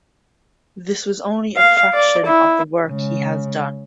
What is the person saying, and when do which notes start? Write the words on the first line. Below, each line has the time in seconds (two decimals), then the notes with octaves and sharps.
This was only a fraction of the work he has done.
1.57 F5
1.94 D5
2.26 E4
2.87 C#3 G#3